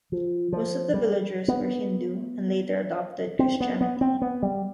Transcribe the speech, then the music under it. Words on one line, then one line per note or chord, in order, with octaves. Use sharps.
Most of the villagers were Hindu and later adopted Christianity.
F3
F3
G3
B3
C4
B3
B3
C4
B3
G3